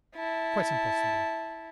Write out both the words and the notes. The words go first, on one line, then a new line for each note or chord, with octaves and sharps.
Quite impossible!
E4 A5